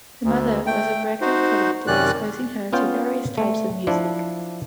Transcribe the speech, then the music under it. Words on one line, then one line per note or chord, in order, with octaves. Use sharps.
Her mother was a record collector, exposing her to various types of music.
D2
A3 G5
D#4 F#4 C5
F#2 C3 D#3 C#4 D5 F#6
B3 C#4 F4 G5
A3
F3 D4 E4